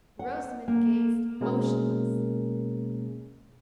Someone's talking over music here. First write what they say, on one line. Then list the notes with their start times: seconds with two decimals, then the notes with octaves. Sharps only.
Rosamond gazed motionless.
0.19 F#5
0.68 A#3
1.41 B2 G#3 A#3 C#4 G#4 A#4